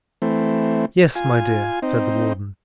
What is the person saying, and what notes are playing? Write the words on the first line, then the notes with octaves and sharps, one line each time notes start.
"Yes, my dear," said the warden.
E3 A3 C4
F4 G#5
C4 D#4